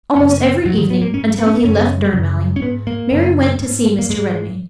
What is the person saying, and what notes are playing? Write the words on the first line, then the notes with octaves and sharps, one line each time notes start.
Almost every evening, until he left Durnmelling, Mary went to see Mr. Redmain.
F#2 C#3 C#4
C#4
B3
G#2 F#3
D#3
B3
A#3
G#2 C#4
B3
C#4
B3
F#2 C#3 C#4
F#2 C#3
C#4
G#2 B3
A#3
F#2 C#3
G#2
A#3
G#2 G#3